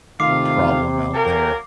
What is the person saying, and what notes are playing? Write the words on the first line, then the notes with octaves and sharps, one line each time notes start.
problem out there.
D#2 C3 D#3 A3 F4 F5 D6 C7
F#3 A#3 A4 A#4 G5 G#5